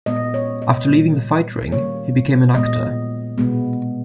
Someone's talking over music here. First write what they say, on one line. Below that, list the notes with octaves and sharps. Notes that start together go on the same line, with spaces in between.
After leaving the fight ring, he became an actor.
A#2 G#3 B3 D#5
C#5
D#5
A#2 G3 A#3
D#3 G3 A#3 C#5
A#2 G#3 B3 D#5
B2 G#3 B3